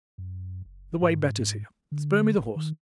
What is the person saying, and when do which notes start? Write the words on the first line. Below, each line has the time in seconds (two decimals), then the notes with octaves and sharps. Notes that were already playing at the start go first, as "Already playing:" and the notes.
The way betters here; spur me the horse.
0.18 F#2
0.65 F#1
1.02 G#2
1.92 D3
2.36 F1
2.56 D#3